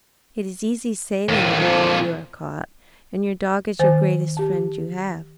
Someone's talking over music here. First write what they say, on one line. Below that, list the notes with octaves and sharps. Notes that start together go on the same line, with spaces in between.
It is easy sailing after a few are caught, and your dog is your greatest friend you have.
D#2 A2
F2 A#2 F3
D#3 C5 G#5 A6
G4 A5